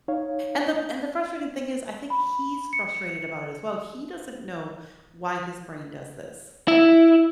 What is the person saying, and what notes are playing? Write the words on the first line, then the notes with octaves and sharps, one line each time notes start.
And the and the frustrating thing is I think he's frustrated about it as well, he doesn't know why his brain does this.
D#4 C#5 F5
B5
C#7
E4